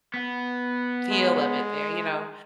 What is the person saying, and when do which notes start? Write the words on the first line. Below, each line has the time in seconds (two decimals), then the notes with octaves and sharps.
feel of it there you know?
0.14 B3
1.12 G#3